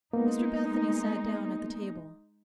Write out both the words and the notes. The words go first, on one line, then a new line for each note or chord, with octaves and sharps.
Mr Bethany sat down at the table.
G#3 A#3 B3 D#4